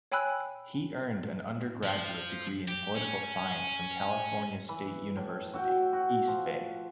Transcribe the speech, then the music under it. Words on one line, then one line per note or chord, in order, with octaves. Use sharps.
He earned an undergraduate degree in political science from California State University, East Bay.
C#5 G5 G#5 B5 E6 F#6
F3
G4
C#4
E3 B5
A2
F#4 E5 G5
F#4
F3